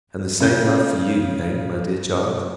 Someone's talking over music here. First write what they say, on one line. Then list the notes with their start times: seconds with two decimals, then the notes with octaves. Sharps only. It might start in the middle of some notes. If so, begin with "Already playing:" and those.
"And the same love for you--eh, my dear child?"
0.40 C#3 G6